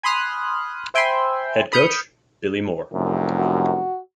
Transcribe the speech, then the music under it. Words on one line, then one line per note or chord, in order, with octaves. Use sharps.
Head Coach: Billie Moore.
G#5 B5 C6 D#6 F6 F#6
C5 E5 G5 G#5 B5 C6
B5 D#6 F6 G6 C#7
F1 C2 F#2
F#4